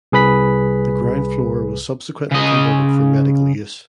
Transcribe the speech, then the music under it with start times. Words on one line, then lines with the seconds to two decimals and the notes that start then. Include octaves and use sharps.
The ground floor was subsequently converted for medical use.
0.12 C2 G#4 B4 B5 B6
2.32 C#3 D#5